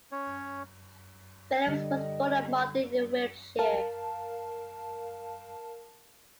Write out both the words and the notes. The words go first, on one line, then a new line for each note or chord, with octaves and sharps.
Philips was born at Marden in Wiltshire.
C#4 C#5
D3 G3 D#5
A#4 F5 A5